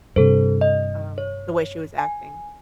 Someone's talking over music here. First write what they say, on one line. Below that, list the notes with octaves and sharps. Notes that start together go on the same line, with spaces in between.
um, the way she was acting.
G2 C3 A4 C5
D#5
C#5
G#5